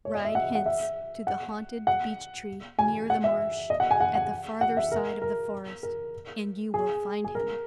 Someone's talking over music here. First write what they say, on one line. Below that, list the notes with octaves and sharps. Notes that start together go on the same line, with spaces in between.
"Ride hence to the haunted beechtree near the marsh, at the farther side of the forest, and you will find him."
C#5
D#5
E5
F#5
F#5
E5
F#5
F#5
G#5
F#5
E5
D#5
F#5
G#5
F#5
F#5
F#5
E5
A#4
A#4
A#4
G#4
G#4
A#4